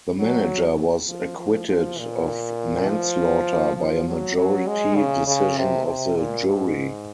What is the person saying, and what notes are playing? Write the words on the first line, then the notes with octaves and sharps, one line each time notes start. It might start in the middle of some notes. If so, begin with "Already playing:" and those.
The manager was acquitted of manslaughter by a majority decision of the jury.
F#3
F3
F3
F3
A#2
F3
F3
F#3
F#3
G#3
C#3
C#3
C3
C3
A#2
G#2